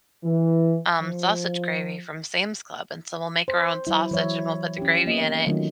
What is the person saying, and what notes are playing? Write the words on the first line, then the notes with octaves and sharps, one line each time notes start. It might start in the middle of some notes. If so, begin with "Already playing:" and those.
um, sausage gravy from Sam's Club. And so, we'll make our own sausage, and we'll put the gravy in it.
E3
F3
C5
F#3 E4
E3 F#3 C#5 E5
C#4 G4
A#3 B3 D#5
D#3 F#3 A3 C#4 D#4 F4